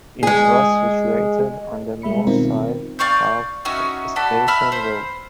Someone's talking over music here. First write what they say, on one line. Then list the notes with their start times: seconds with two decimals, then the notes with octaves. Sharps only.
It was situated on the north side of Station Road.
0.23 G#3 G#4
2.02 G3 G#3 E5 B5 C#7
2.27 B2 D#3 C4 D#4 F4 A#4
2.99 D5 F5 C#6 G6
3.65 C#4 D#4 F#4 E5
4.16 F#4 A4 D5 B5
4.48 E5 B5 F6
4.72 C5